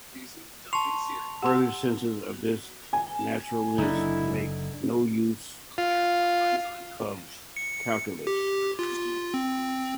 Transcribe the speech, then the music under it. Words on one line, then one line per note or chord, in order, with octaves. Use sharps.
Further senses of this naturalness make no use of calculus.
A5 C6 C#6 F7
G4 F#5 A5 C6 E6
G#5
F#1 D3 D#4 E4
F4
C#7
G4
F4
C4